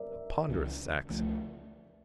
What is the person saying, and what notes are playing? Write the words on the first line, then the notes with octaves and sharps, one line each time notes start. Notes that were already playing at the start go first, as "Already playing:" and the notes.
A ponderous Saxon.
Already playing: A#4 D5 E5
C#2 C#3 E3
C#2 C#3 F3 A3